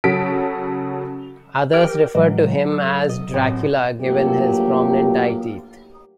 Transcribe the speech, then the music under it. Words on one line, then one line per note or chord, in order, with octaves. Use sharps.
Others refer to him as Dracula, given his prominent eye teeth.
C#3 F#3 A4 B6 D7
G4 A#4 G5
A2 E3 F#3 G#3
A4
D#5
A1 C4 F#4
G2 F#3 A3 A#3 F4 G4